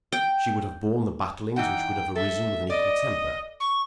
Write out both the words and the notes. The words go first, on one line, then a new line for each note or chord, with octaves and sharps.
She would have borne the battlings which would have arisen with an equal temper.
G5
E3 D#4 F#5 G5
A4 E5
D5 D#5
C#6